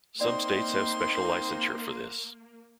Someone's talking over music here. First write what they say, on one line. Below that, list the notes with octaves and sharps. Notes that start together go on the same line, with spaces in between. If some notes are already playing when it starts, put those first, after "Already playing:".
Some states have special licensure for this.
A#3 C4 D#4 D5 C6